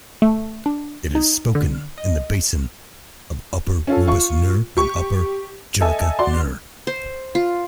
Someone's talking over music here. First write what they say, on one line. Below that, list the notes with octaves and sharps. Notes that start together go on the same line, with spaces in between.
It is spoken in the basin of Upper Rubas-nir and Upper Chirakh-nir.
A3
D4
D#4
D3
D#5
C#4 F4 A4
F4 C#6
G4 C#6
A4 D#5 E5 G#5
F#4 D5 C6
C5
F4